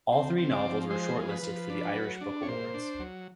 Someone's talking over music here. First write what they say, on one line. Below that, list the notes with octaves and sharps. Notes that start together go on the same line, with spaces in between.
All three novels were shortlisted for the Irish Book Awards.
C4
C4
D5
F3
G#3 C5
F3
B4
F3
D4
F#3
D4
C#5
A#2 C5
D4
F#3